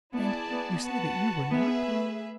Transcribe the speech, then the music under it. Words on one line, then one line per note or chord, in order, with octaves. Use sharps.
"And--you say that you were not?"
B3 E4 G#4 D5 A5
B3
F#4 B4 F#5 A5
B3 G#4 B4 E5
A3